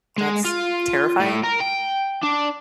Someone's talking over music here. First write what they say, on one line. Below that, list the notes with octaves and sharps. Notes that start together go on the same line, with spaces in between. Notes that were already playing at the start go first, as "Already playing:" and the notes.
That's terrifying
G#3
F4
A2
A#4
G5
D4